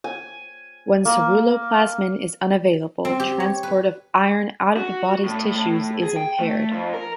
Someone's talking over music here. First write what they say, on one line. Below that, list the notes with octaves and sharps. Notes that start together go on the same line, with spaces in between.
When ceruloplasmin is unavailable, transport of iron out of the body's tissues is impaired.
G#5
A#3
C4
G4
C#5
B4
F#4
A2
A2
G#4
G5
A3
F2
A#4